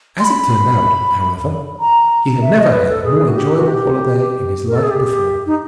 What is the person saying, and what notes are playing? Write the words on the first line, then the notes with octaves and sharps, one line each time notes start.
As it turned out, however, he had never had a more enjoyable holiday in his life before.
C6
B5
A#5
E5
D#5
C5
B4
A4
G#4
F#4
G4
F#4
G4
A#4
A4
G#4
G4
D#4